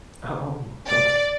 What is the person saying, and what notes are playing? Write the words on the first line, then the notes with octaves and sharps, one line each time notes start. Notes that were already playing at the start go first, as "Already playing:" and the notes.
Oh, okay.
D5